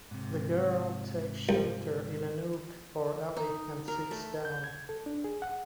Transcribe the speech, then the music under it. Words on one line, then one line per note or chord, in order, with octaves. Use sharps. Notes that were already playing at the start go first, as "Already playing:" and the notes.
The girl takes shelter in a nook or alley and sits down.
G#2 C3
C2
D#4
A#4
A3
G6
G#6
A4
D4
G#4
F#5